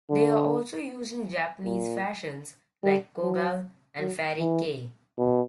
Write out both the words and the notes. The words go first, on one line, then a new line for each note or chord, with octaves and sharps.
They are also used in Japanese fashions like Kogal and Fairy Kei.
D3
A#2
G3
F#3
F#3
E3
B2